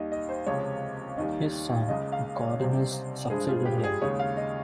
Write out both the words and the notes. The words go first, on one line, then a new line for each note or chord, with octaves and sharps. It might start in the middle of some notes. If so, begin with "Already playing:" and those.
His son, Godinus, succeeded him.
Already playing: D#2 D#3 G3 D#5
D#5
C5
C#2 C3 F3 G#3 C#5
D#2 D#3 G3 D#5
C#2 C#3 G#3 D#5
F5
C#5
C2 C3 G3 C5
G2 F3 G#3 G#4
F4
G4
G4
G#4
D#2 C#3 G#3 C#5
F5
D#5